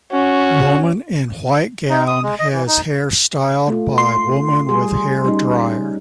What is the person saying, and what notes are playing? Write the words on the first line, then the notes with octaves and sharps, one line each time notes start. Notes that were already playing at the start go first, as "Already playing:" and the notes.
Woman in white gown has hair styled by woman with hair dryer.
C#4 F#4
D#4
D#6
G#3
D#5
E3
D#4
A3 F4
C6
G3 G#4
G3 C#4 D#4